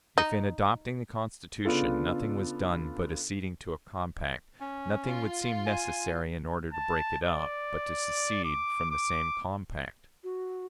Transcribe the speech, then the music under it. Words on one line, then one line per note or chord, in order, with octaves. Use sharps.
If, in adopting the Constitution, nothing was done but acceding to a compact, nothing would seem necessary, in order to break it up, but to secede from the same compact.
D#4
C#3 B3 D4 F4 A4
C#4
F4
G#5
A5
D5
D6
D6
F#4